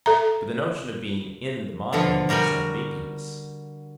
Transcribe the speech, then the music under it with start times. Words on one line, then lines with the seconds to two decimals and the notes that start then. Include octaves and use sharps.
But the notion of being 'in' the mind is ambiguous.
0.06 A4 E5 A#5
1.93 B2 D3 F3 F4
2.29 G3 F#4 A#4 G5 G#5